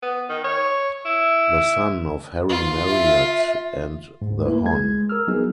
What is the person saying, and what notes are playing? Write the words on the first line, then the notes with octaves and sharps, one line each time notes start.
The son of Harry Marriott and The Hon.
B3
D#3
C#5
E4
F4
E5
G#2
A#3 E4 B4
G#3 G#6
A#4 E6 F6
F#3 B3 D#4 G#4